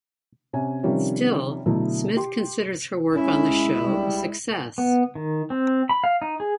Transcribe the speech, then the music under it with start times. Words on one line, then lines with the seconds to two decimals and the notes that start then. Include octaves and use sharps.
Still, Smith considers her work on the show a success.
0.53 C3 C#4 G#5
0.83 C3 D#3 F3 G3 C#4
1.66 B2 D3 F#3 A3 E4
2.16 G4 C6
3.15 G#3 C#4 E4
3.84 G3
4.78 B3
5.15 D#3
5.50 C4
5.89 B5
6.04 F5
6.22 D#4
6.40 G#4